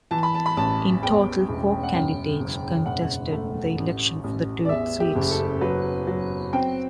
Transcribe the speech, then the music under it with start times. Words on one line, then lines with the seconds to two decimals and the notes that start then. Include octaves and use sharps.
In total four candidates contested the election for the two seats.
0.11 E3 A5
0.23 B5
0.35 A5
0.46 B5
0.57 A1 A5
1.03 E2 G5
1.49 E1
1.83 F#5
1.94 F#2 G5
2.40 F#1
2.86 E1 F#5
3.32 A3
3.78 A1
4.24 A1
4.65 D5
4.69 E2 E5
5.00 G4
5.15 F#1
5.31 A4
5.61 F#3 B4
6.07 F#3
6.53 C4 G5